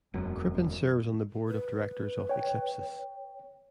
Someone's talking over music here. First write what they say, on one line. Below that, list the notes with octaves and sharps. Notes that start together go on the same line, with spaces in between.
Crippen serves on the board of directors of Eclipsys.
E1 F#2
B4
C#5 G5